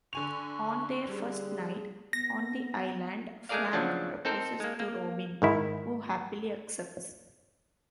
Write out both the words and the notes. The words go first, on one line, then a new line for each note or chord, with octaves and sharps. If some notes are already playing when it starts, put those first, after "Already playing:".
On their first night on the island, Frank proposes to Robin, who happily accepts.
D3 G#5 C#6 F7
G3 G#4
B3 A#6
G#3 A3 G#4 A#4 D5 F5
C#3 F3 F#3 D4
C4 D#4 A4 A#4 C5
G#3 A#3
A#3
G#2 D#3 E4